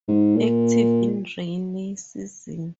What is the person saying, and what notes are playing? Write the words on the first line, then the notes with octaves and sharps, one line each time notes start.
Active in rainy season.
G#2
A#2